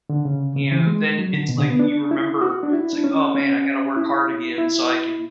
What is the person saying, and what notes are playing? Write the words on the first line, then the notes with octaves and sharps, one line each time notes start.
you know, then it's like you remember it's, like, "Oh, man. I gotta work hard again so I can
D3
C#3
C#3
E3
G#3
F#3
D3
B2
D3
B3
D4
E4
F#4
D4
E4
D4
C#4
C#4
E4
E4